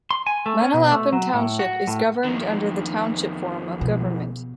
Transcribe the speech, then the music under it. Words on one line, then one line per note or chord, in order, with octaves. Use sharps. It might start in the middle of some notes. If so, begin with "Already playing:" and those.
Manalapan Township is governed under the Township form of government.
C6
G#5
A3
C#4
B2
A3
F#3
A2
F#4
A2
F2 D#3
B2